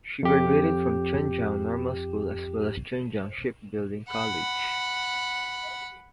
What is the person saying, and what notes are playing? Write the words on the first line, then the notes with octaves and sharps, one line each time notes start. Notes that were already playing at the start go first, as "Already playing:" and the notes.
She graduated from Zhenjiang Normal School as well as Zhenjiang Shipbuilding College.
F2 G4
F#5 B5